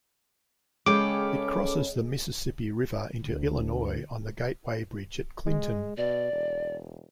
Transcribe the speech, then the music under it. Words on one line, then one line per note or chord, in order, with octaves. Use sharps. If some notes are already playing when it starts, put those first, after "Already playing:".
It crosses the Mississippi River into Illinois on the Gateway Bridge at Clinton.
C#3 G#3 C#4 A4 B4 F5 G5 D6
D2
G#3
B2 D5
E1